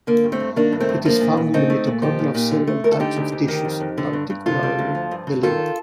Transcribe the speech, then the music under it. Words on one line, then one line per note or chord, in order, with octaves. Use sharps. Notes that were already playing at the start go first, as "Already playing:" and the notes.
It is found in the mitochondria of several types of tissues, particularly the liver.
D3 A#3
G2
A3 C4
G2
D#3 A#3 D4
G2
A3 C4
G2
F3 A#3 D4
A#2
A#2
A3 C4 D#4
A3
A#2
F3 D#4 G4
A#2
A#2
D3
A3
D2 A#4
A4
D3 D#4 G4
D2
D2
D#3
F2
F2
D3
G2
G2
C3 F4 A4
G3
D2
F3
G2
G2
D#3 F4 A4